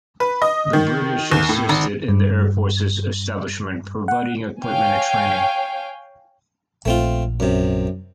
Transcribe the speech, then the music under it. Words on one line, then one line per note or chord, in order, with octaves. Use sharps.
The British assisted in the Air Force's establishment, providing equipment and training.
B4
D#5
D#3
D#2
A2
G#1
G2
F#5
C#5 F5 G5 G#5
A#1 A3 C4 F4
F#2 C3